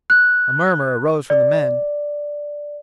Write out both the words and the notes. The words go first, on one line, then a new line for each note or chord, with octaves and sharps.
A murmur arose from the men.
F#6
D5